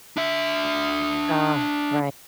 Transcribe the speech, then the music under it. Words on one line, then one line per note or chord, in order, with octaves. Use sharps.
Ah, righ
D4 E5